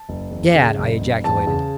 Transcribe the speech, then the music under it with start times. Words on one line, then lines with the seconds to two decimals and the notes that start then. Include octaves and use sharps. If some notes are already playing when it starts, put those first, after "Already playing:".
"Gad!" I ejaculated.
Already playing: A5
0.09 F#1
0.31 E2
0.55 C#3
0.78 F#1
1.01 F#1
1.24 E2 A5
1.47 C#3